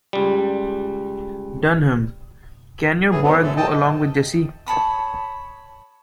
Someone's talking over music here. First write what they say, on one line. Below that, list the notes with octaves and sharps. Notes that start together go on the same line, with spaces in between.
Dunham, can your boy go along with Jesse.
C#2 G3
A2 E3 G#4
G#2 D3 F#3 B3
F#2 A3 A4
D#5 G5 A5
C#5 A5 B5 D#6